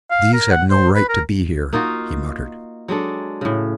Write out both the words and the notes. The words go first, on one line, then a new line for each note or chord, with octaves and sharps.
"These have no right to be here," he muttered.
F5
A#4
F#5
C5
B4
A#4
A#3 D#4 F4 F#4
F#3 G#3 D4 A4
A2 C#3